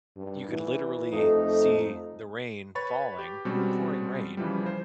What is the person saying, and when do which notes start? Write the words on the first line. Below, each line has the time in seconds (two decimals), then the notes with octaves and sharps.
you could literally see the rain falling, pouring rain,
0.16 G2
0.48 E3
1.12 F2 A3 D#4
2.75 B4 C#5 B5 C#6 A6
3.18 G4
3.45 B2 G3 G#3 C4 C#4 F#4
4.37 C#3 E3 F3 G3
4.66 C5